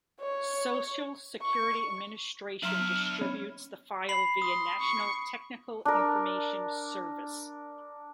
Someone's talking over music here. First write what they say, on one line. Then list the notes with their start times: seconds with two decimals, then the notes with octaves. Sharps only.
Social Security Administration distributes the file via National Technical Information Service.
0.20 C#5
1.42 C#6
2.63 F#3 D4 E5 A#5 C6 F6
2.79 B3
3.21 C#4 B5
4.09 B5 C7 F#7
4.42 C6 D#6
4.80 C#6
5.85 D4 A#4